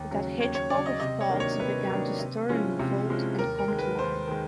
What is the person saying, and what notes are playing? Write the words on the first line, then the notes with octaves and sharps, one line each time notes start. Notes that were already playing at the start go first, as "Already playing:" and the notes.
That hedgehog of thoughts began to stir and unfold and come to life.
Already playing: D#2
C#3 F#3
D#2 C#5
C#5
C#3 F#3 D5
D#5
C3 D#5
C#5
D#3 F#3 A#3 D4
C#5
C3 B4
D#3 F#3 A#3 D4
C3
F3 G#3 C#4 E4
C3
F3 G#3 C#4 E4
D#2 A#4
A#4
D#3 G#3
B4
D#2 C5
D#3 G#3